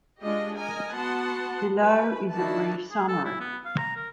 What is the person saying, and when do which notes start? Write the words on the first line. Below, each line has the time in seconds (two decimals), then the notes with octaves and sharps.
Below is a brief summary.
0.20 G#3 D4 F4 G4 D#5
0.56 A#4 D#5 G#5
0.93 B3 F#4 F#5 A5 C6
1.79 B4
2.33 D#3 F3 D4 E4 F#4 A5
2.91 G#4
3.08 A4
3.25 E4
3.40 B3
3.65 F5
3.78 A#5
3.96 A#4